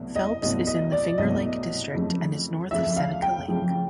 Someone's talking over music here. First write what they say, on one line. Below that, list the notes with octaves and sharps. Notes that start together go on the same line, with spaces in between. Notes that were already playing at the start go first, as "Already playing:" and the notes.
Phelps is in the Finger Lake District and is north of Seneca Lake.
Already playing: C2 B2 F#3 A3
D#5
C2 B2 F#3 A3 D#5
D#5
D5
C2 B2 F#3 A3 D#5
F2 C#3 F3 A3
F2 C#3 F3 A3 E5
F5
G5
F2 C#3 F3 A3